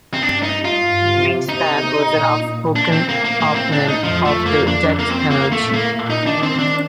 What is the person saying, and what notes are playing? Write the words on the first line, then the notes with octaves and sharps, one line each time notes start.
Greenspan was an outspoken opponent of the death penalty.
C4
G2 D4
D#4
F4
G2
C3
C3 D#4
A#2
D4
C4
A#3
A#3
A2 A#3
C4
D4
D#4
F2 F3
A3
A#3
D4
A#3
C4
A#3
A3
A2
A#3
A#2
D#4
D#3 D4
C4
D4